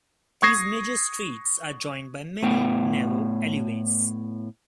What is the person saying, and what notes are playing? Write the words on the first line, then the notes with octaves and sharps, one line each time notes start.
These major streets are joined by many narrow alleyways.
C#6 D#6 G#6 A#6 C7
A2 B3 G5